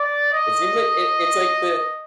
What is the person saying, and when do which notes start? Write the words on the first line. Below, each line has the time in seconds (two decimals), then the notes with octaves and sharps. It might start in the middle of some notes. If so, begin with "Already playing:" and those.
It seems like it it's like the
Already playing: D5
0.31 D#5